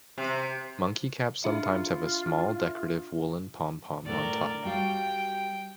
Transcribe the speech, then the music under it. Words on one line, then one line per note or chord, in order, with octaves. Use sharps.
Monkey caps sometimes have a small, decorative, woollen pom-pom on top.
C3
D4 F4 E5
A2 D3 A3 A#4 D5
G3 F#4 F5 G5